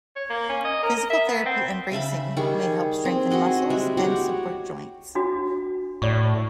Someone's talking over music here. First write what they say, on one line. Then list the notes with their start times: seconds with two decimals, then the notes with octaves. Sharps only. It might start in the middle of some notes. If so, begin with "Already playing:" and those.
Physical therapy and bracing may help strengthen muscles and support joints.
0.16 C#5
0.30 A#3
0.49 C#4
0.65 D#5
0.83 A#4
0.97 A#4
1.10 E5
1.27 B3
1.46 C4
1.92 C#3 E5 A5 B5
2.37 D#3 G3 G#4 C#6
3.05 C4 G#4
3.30 F#4 G#4 D#5 F#5
3.70 G3 G#3 E5
3.97 F#4 G4 C#5 F#5
5.15 D4 F#4
6.02 A2 D5 C#6